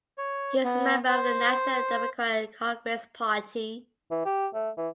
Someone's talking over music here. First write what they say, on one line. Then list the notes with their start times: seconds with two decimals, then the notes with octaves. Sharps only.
He is member of the National Democratic Congress Party.
0.18 C#5
0.64 B3
1.09 C5
4.11 E3
4.25 G4
4.54 A3
4.77 E3